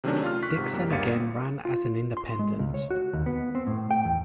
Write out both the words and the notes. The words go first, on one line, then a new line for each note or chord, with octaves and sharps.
Dixon again ran as an independent.
C3 D#3 F#3 A3 C#4 D4
F4 F6
C#6 F#6 B6
G#2 C3
F#2 G3 A#3
G1 D2 A#3 F5 A6 C#7
F4
C6
G#3
C#2
C#5
F#4
D#2
B3
C4
A2
G5
E2